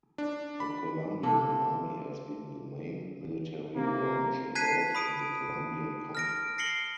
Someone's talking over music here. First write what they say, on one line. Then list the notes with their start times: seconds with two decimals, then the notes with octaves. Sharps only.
The Colombian Army has been the main military branch involved in the Colombian conflict.
0.18 D4
0.60 B5
1.23 C3 A#3 A4
3.76 C3 A#3
4.55 A5 F#6 G#6 B6 C7 D#7
4.95 B5 D#6 D7
6.15 F6 A#6 D7
6.58 A#6 C7 C#7 F#7 G7